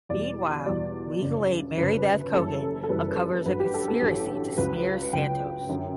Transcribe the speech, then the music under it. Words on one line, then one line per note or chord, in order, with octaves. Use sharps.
Meanwhile, legal aid Marybeth Cogan uncovers a conspiracy to smear Santos.
E2 B2 G3 D5
E2 B2 G3 D5
G1 F#2 C#3
G1 F#2 C#3 B4
F#1 F#2 E3 G3 A4
A4
F#1 F#2 E3 G3 B4
A1 G2 F#3 B4
G4
A4
A4
A1 G2 F#3
C#2 C#3 F#3 B4
C#2 C#3 F#3 G5
F#2 D3 F#3